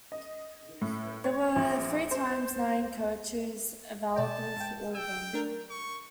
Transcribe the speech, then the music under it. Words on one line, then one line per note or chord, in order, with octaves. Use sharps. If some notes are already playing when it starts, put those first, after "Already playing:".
There were three times nine "couches" available for all of them.
D#5
A2
C#5
A#1
C5
B2 D5 G5 A5
G#2 G5
G5 E6
A3 D4 A#4
C#6